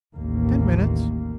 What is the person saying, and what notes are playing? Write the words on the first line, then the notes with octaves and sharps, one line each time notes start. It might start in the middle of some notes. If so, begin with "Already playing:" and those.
"Ten minutes."
A1 D#2 A#3